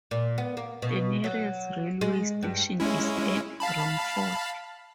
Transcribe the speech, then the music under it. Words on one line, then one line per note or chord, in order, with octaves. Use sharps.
The nearest railway station is at Romford.
A#2
B3
A#3
B2
F#3
G#3
G2
G#3 C#4 E4
F5 A5 B5